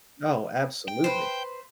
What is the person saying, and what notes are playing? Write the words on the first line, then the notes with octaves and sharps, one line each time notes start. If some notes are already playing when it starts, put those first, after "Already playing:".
Oh, absolutely.
G5
B4 C5